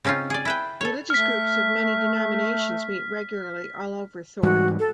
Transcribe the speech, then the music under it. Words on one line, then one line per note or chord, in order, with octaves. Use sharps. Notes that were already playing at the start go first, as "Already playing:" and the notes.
Religious groups of many denominations meet regularly all over Thorpe.
C#3 C4 C#4 D#4 F4
G#4 D5
E4 B4 G5
A4 C#5
A3 F6 B6
G#2 E3 G3 F#4
A4